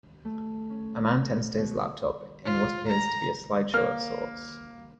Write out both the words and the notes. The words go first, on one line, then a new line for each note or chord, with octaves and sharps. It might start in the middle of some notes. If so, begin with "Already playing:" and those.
A man tends to his laptop in what appears to be a slideshow of sorts.
A3
C#4
B2
F4
A#5
A#3 F6